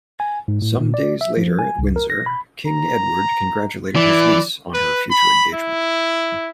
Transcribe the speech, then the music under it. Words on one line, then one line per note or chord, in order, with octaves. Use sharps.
Some days later at Windsor, King Edward congratulated his niece on her future engagement.
G#5
G#2
A2
A#2
D5
E5
F3
G#5
C2
A#4
A#6
B5
A#5
E3 D5
B4
B5
E4